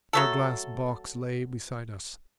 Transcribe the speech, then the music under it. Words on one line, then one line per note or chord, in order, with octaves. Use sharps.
Our glass box lay beside us.
F#3 A3 A4